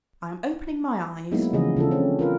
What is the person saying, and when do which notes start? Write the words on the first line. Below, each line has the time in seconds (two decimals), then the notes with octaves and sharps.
I am opening my eyes.
1.31 F#3 G#3 A#3 B3 D#4 E4
1.53 C#3 E3 F3 G#4 D#5
1.77 C#3 D4 F4 A4
1.91 C4 C#4
2.19 F4 A#4 B4